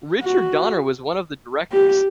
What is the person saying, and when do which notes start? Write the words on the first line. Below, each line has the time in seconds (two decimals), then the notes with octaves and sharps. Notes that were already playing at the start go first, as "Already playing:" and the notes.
Richard Donner was one of the directors.
0.22 F#4
1.72 G4